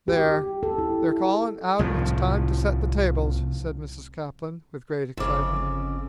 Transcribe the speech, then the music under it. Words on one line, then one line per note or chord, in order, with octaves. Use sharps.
"There, they're callin' out it's time to set the tables," said Mrs. Caplin, with great excitement.
G4
A4
E4
C2 A2 F3
G1 F2 C#3 D6